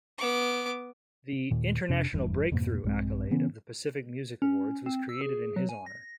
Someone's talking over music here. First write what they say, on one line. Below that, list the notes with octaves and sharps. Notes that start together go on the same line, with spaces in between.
The "International Breakthrough" accolade of the Pacific Music Awards was created in his honour.
B3 D6
D#2 A#2 D#3
F2 C3 D4
F1 E2 G2
F2 G#2 B2 A#3
A#1 G2 G#3 C4
C#3 E3 B3 C#4
C#4
C4
E6
G#4
F#3
G#5
A#6